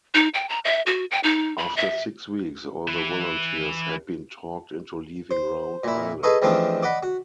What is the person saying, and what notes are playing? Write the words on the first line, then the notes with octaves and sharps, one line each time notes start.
After six weeks, all the volunteers had been talked into leaving Round Island.
D#4
G5
A#5
E5
F#4
G5
D#4
B5
E5
E3 E4
C5
A#2 E4
D#4 G#4 A4 B4 D#5 C#6
E2 F3 A3 C4 D4 D#4
D5 D#5 F#5 B5
F#4